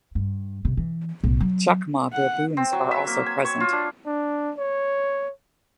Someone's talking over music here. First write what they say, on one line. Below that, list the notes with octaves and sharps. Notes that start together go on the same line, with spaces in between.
Chacma baboons are also present.
G2
C3
E3
B1 A2
F#3
F#5
C4
F#3
E5
A#3
G#5
C#5
F4
D4
D4
C#5